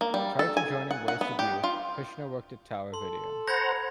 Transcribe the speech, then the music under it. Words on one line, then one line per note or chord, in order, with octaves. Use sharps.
Prior to joining Wasted Youth, Kushner worked at Tower Video.
A#3
G3
A4
G#5
F#5
F#5
B3
G4
F4
A4 C6
C5 F#5 A#5 B5 G#6 A#6